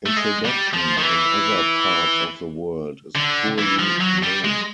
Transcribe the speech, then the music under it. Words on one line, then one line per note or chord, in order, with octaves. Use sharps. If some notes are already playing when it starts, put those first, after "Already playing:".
Introduction in other parts of the world is poorly known.
A3
G#3
G3
F3
D#3
E3
D3
E3
F3
F#3
G3
G#3